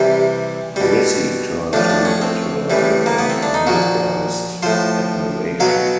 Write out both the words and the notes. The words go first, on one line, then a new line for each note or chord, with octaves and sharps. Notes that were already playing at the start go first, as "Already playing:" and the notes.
Grissie turned to look at her with an undisguised admiration.
Already playing: C3 E3 G3 G4
B2 G3
A2 F3 D4
D4
C#4
C4
A2 E3 G3
A#3
B3
C4
D4
D#4
A#2 F3 F#4
A2 F3 C5
B2 F#3 F5